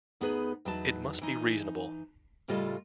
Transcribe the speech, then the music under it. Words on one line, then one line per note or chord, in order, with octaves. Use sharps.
It must be reasonable.
D2 B3 D#4 G#4 B4
E2 F#3 D#4 B4 A5
E3 D#4
A2 C#3 G3 F4 A4 D#5